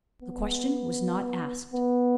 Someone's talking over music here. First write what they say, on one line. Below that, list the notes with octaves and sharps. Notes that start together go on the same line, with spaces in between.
The question was not asked.
B3
B3